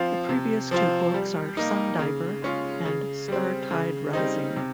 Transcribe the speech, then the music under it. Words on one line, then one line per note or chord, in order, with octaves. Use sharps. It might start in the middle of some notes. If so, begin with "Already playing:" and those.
The previous two books are "Sundiver" and "Startide Rising".
Already playing: F3 C4 F4
C3
F3 C4 F4
G3
A#3 D#4
C#3
G#3 C#4 F4
C#3
G3 C4
C#3
G3 C4 D#4
C3